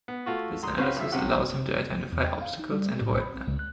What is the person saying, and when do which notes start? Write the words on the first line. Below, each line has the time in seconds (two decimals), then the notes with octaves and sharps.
This analysis allows him to identify obstacles and avoid them.
0.08 B3
0.26 A3 F4 F#4
0.63 F#2 A#5 C6 D#6
0.78 C4 C#4 F#4 B4 C#5 F5
0.97 B1 F3 E5
1.12 C3 C4 C#4 G4 F#5
2.12 E2
2.28 G5
2.42 F5
2.59 D#4
2.72 G3
2.89 G#3
3.01 A2
3.20 B5
3.34 C4
3.47 C#2
3.59 F#6